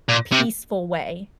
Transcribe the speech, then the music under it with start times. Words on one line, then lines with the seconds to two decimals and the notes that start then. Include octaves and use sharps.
peaceful way,
0.09 A#2
0.32 C3